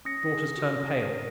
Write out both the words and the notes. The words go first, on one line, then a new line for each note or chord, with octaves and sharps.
Daughters turn pale.
C#4 D#6 A#6 C#7
G#4
F#4
G#4
A#4